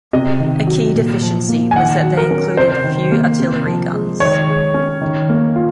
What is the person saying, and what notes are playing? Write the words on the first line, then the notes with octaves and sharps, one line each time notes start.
A key deficiency was that they included few artillery guns.
C3 D#5
D#3
F#3
A#2
F3
A#3
G#5
D#3 F#5
F#3
A#4
C#4
C3 C5
D#3
A#3
C3
F3
G#3
D#3 C#5
G#3
C#4
D#3
A#3
F4